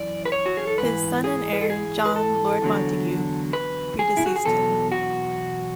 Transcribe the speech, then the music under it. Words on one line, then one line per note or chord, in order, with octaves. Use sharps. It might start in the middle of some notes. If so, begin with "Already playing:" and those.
His son and heir, John, Lord Montagu, predeceased him.
Already playing: F#2 E3 D5
B4
C#5
F#4
G#4
A4
G#2 E3 B4
G#4
B4
A4
G#4
B4
A4
E2 D3 F#3
B4
G#4
E4
F#4
G#4
E2 B2 F#3 A4
F#4